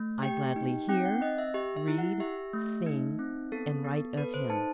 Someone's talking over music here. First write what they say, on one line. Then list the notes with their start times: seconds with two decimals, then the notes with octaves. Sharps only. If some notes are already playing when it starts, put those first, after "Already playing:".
I gladly hear, read, sing, and write of Him.
Already playing: A3
0.23 G4 G5
0.56 D#4
0.89 C4 G5
1.05 F#5
1.21 C4 D#5
1.38 E5
1.54 G4 E5
1.77 E5
1.88 E4
1.98 F#5
2.20 G4 E5
2.53 A3
2.86 D#4
3.19 C4
3.52 B3 A4
3.84 B3
4.17 A4 B4
4.34 C5
4.50 D#4 A5